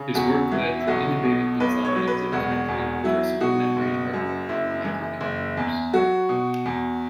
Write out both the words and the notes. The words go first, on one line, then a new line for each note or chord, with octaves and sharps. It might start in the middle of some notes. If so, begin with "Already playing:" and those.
His work led to innovative designs of content-addressable memory hardware for microcomputers.
Already playing: C#3
E2 F#4
E3
E4
B1 F#4
B2
B1 B4
C#5
F#3
B4
E1 F#4
E2
F#3 E4
B2 F#4
F#1
F#2
F#1 E4
E3
F#1
E2
F#3 F#4
B2
E2